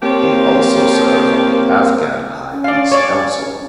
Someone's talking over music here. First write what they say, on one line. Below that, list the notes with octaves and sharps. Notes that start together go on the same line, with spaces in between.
He also serves on the Afghan High Peace Council.
F3 A#3 C4 G4 C#5
C#4
D5 F5
C#5 D5